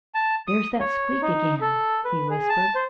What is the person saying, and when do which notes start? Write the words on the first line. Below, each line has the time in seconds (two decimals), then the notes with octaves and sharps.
"There's that squeak again!" he whispered.
0.15 A5
0.47 D#6
0.80 C#5
1.22 D#4
1.61 A4
2.05 B4
2.30 G#4
2.49 A5
2.75 C5